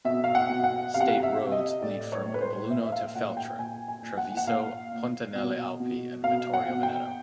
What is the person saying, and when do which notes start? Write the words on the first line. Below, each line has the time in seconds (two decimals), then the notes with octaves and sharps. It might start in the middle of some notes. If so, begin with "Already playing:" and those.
State roads lead from Belluno to Feltre, Treviso, Ponte nelle Alpi and Vittorio Veneto.
0.05 B2 E5
0.24 F5
0.35 F#5
0.50 B2
0.64 F#5
0.94 C3 F5
1.00 F#5
1.08 F5
1.23 E5
1.38 C3
1.52 D#5
1.82 A2 D5
2.12 C#5
2.26 A2
2.34 B4
2.41 C5
2.70 A#2 E5
2.86 E5
2.92 F5
3.15 A#2 F#5
3.37 G5
3.59 A#2 G#5
3.88 G#5
4.03 A#2
4.18 F#5
4.37 F#5
4.47 A#2 F5
4.92 A#2
5.35 B2
5.80 B2
6.24 B2 F5
6.53 F#5
6.69 B2
6.83 G5